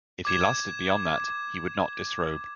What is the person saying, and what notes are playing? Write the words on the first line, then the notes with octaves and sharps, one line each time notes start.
If he lasted beyond that, he would not disrobe.
D6 G#6 E7